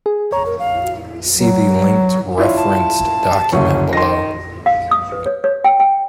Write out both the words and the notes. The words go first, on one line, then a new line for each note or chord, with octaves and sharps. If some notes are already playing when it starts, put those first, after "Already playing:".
See the linked referenced document below.
G#4
C#5 A#5
A#4
F5
F#3
D4 E4 F4 C#5
A5
F#1 D2 C#4 C#6
D#3 C6 A#6
F5
D#6
B4
C#5
C#5
G5
G5